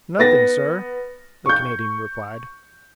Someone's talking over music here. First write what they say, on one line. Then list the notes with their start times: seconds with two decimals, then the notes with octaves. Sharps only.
"Nothing, sir," the Canadian replied.
0.19 B3 A6 A#6
1.46 C#6 G6